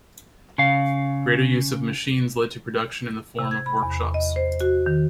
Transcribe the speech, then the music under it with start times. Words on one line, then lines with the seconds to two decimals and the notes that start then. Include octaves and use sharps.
Greater use of machines led to production in the form of workshops.
0.58 C#3 F5
3.39 C3
3.51 G#6
3.66 B5
3.83 E2
4.14 D#5
4.36 C5
4.61 F#4
4.86 D#3